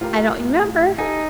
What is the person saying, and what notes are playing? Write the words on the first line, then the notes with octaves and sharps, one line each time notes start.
"I don't remember."
A2 F4 G4 A#4 A#5
D#4 G4 A4 G#5